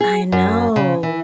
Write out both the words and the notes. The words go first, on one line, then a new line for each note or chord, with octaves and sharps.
I know.
G#4
F#2
C#3
E3